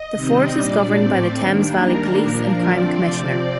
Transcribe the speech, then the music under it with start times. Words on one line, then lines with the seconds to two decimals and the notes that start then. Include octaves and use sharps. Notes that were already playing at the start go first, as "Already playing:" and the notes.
The force is governed by the Thames Valley Police and Crime Commissioner.
Already playing: D#5
0.13 C3 D#3 G3 C4
0.54 A#2 G3 D4 D5
0.96 A2 A3 C4
1.37 D#3 G3 A#3 D4
1.78 D#3 G3 A#3 D4 A#4
2.19 A#2 F3 A#3 D4
2.61 D3 F3 A3 C4 D5
3.02 C3 F3 C4